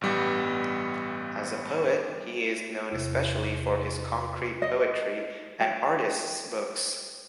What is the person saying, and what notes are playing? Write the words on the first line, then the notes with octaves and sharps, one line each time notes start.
As a poet he is known especially for his concrete poetry and artist's books.
A1 G2 G3 B3
E2 C3
D#5
G5